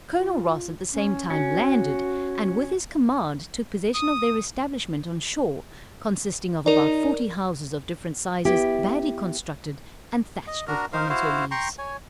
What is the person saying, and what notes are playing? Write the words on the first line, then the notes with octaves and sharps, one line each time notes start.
Col. Ross at the same time landed, and with his command took possession of their establishment on shore, consisting of about forty houses of different sizes, badly constructed, and thatched with palmetto leaves.
F4
C#4
C#4 F#4
D#6
D#4 A#4 D5
B3 E4 G4
D#5
D4 F#4 A#4 A#5
D#4 A#4 C5 F5
E4 F#4 C5 F5
G5 A#5 C6 C#6
C#5 G#5